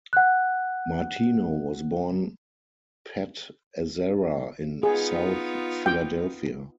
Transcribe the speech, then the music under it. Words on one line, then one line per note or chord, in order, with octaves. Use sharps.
Martino was born Pat Azzara in South Philadelphia.
F#5 F#6
B3 D#4 F4 G#4
G5